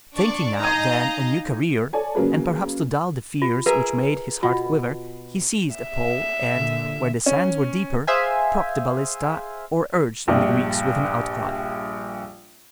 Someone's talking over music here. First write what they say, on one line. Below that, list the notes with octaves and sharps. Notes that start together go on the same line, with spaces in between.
Thinking out then a new career, and perhaps to dull the fears which made his heart quiver, he seized a pole and, where the sands were deeper, propped the balista, or urged on the Greeks with an outcry.
D4 D5 C#6
D#4 D#5 F5 G#5 A#5
A4 C#5 D5 G#5 A5
C#3 F#3 A#3 G#4 B4
F4
G#4 A#4 B4 E5
B2 F4
E5
A#2 D3
C#4
G#4 C5 E5 F5 G#5
A#1 G2